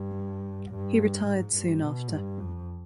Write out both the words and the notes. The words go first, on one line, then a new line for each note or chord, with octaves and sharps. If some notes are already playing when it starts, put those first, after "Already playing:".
He retired soon after.
Already playing: G2
G2
G#2
G2
B2
G2
F2